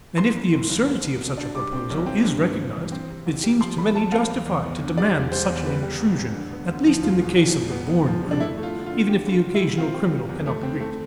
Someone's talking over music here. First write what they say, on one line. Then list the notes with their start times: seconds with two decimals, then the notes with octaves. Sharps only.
And if the absurdity of such a proposal is recognized it seems to many justified to demand such an intrusion at least in the case of the born criminal, even if the occasional criminal cannot be reached.
0.18 G1 C6
0.35 G1
0.52 F2
0.69 G1
0.87 C2
1.03 C2
1.21 B2
1.38 D4
1.55 G3 D6
1.73 C4
1.90 B1
2.06 C4
2.24 G2
2.41 G2
2.57 G2
2.75 E3
2.92 C4
3.10 C3
3.26 C2
3.44 G3
3.61 F3 C6
3.78 B1 B5
3.94 B1 A5
4.12 C4 F5
4.29 E2
4.46 E2
4.63 B3
4.81 D3
4.97 G3 D5
5.15 E1
5.32 G3 C5
5.49 E2
5.66 G3 B4
5.83 G3
6.01 F1
6.18 F2
6.34 D3
6.52 B3
6.69 D2
6.86 F3
7.03 E1 F4
7.21 B2
7.37 E2
7.54 E1
7.72 B3
7.89 B3
8.06 F3
8.24 G2
8.31 D4
8.40 A3 E4
8.57 A3
8.63 F4
8.75 D3
8.86 F4
8.92 D3
9.09 D3 G4
9.26 G1
9.32 F4
9.44 D3
9.55 E4
9.61 G3
9.77 C4 F4
9.94 C4
10.12 G3
10.29 E2
10.46 A3
10.63 C4
10.80 A3